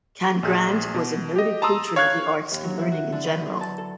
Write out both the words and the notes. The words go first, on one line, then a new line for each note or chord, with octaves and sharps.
Cangrande was a noted patron of the arts and learning in general.
A#1 G#4
B2
G4 D#5
A5 A#5 C6 D#6 E6
C#5 F5 C#6 F#6 G#6
D#2
F#3
E4
F#4
D3
B4
F#3
A5
A4